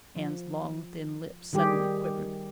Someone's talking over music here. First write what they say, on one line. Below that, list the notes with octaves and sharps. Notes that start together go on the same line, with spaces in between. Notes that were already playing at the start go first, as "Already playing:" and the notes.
Anne's long, thin lips suddenly quivered.
F3
D#3 G3 G4 G#4